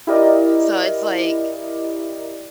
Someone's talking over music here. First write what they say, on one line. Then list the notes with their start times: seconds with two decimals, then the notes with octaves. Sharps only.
So, it's, like
0.07 E4 G4 A#4 D5 D#5